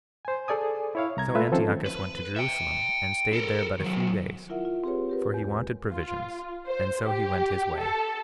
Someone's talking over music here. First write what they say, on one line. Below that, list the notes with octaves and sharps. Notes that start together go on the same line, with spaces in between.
So Antiochus went to Jerusalem, and staid there but a few days, for he wanted provisions, and so he went his way.
C5 G#5
G#4 A4 D5 G#5 D#6
E4 C#5 F5
C2 A#5 G#6
A3 F4 B4 E5
D#3 F3 C4 C#4 A4 C5
B4
E5 G5
A4 A#4
D#3 F#3
E4 F4 A#4 E5 F#5
F4
C4 G4 G#4 B4 C#5
G4 A#4 B4
E2 G#3
F4
C5
G4
A4